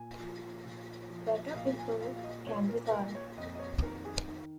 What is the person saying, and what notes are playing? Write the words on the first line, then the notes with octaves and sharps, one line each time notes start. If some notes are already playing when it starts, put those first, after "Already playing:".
Butter Brickle... candy bar!
Already playing: A#2 G#5
F3
A#2
F3
D#5
A#2 F5
G#5
A#2 F5
F5
D#5
A#2 C#5
A#4
A#2 A#4
C#5
F2 D#5
D#5
C#5
D#3 A#4
G#4
D#3